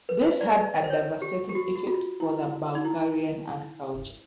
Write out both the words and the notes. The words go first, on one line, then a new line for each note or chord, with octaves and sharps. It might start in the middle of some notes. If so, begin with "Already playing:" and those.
This had a devastating effect for the Bulgarian agriculture.
B4
C5
D5
D#5
C5
C#5
G4
G4
F#4
F#4
F4
E4
D#4
E4